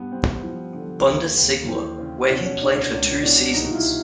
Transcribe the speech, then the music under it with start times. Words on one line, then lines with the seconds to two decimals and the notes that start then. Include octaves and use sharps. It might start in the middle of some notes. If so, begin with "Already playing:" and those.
Bundesliga, where he played for two seasons.
Already playing: G2 B3
0.12 G2 C4
0.43 F3
0.74 D3
1.06 D#2
1.36 D#2
1.68 E3 C4
1.98 C#3
2.30 B2 C#4
2.45 C#4
2.61 C#2 D4
2.76 C#4
2.92 C#2
3.22 B2 D4
3.54 C2 D#4
3.71 F4
3.75 E4